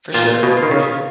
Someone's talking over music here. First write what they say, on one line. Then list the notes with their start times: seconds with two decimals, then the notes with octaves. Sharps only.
For sure, for sure.
0.14 A#2 F4
0.43 B2
0.57 F4
0.63 D#3
0.71 C#3